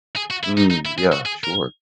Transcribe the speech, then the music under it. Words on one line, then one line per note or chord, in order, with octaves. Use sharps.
Mm, yeah, sure.
G#4
F#4
E4
D#4
D#4
E4
G#4
F#4
G#4
A#4